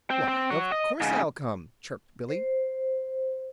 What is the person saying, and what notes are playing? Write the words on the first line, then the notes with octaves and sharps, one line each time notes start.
"Why, of course I'll come," chirped Billy.
C4
C4
F#4 C#5
D#5
G#2 C#3
C5